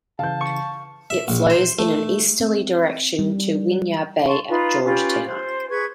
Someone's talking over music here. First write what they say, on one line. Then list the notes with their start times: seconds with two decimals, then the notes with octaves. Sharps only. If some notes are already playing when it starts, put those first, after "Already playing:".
It flows in an easterly direction to Winyah Bay at Georgetown.
0.19 C#3 E3 F5 A5 G6
0.41 C#6
1.10 E5
1.28 A#1
1.50 C5
1.79 A3
2.40 C4
3.19 G3
4.28 A5 C6 C#6
4.49 D#4 F4 B4
4.84 C#4 F4 G4 B4
5.26 C5
5.70 G#4 B4 C#6 G#6